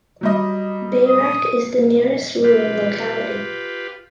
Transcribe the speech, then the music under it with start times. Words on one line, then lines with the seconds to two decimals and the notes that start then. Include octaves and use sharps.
Bayrak is the nearest rural locality.
0.21 F#3 G3 D#5
1.08 D#6
2.44 F4 G4 B4